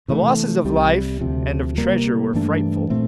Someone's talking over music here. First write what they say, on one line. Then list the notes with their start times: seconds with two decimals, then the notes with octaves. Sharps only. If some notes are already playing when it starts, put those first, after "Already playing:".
The losses of life and of treasure were frightful.
0.08 C3 E3 A3
0.65 C2 C3 G3
1.21 D2 C3 F3
1.78 C3 G3 A#3
2.34 G2 E3 A3 D4
2.90 A#2 A3 C4